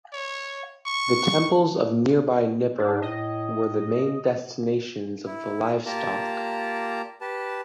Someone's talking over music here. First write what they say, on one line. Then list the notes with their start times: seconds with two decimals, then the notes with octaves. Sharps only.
The temples of nearby Nippur were the main destinations of the livestock.
0.13 C#5
0.86 C#6
2.79 G#2 D4
3.02 A2 D#5
5.26 E4
5.86 A#3 F4 G4 D5 A5 A#5
7.21 G4 B4 A5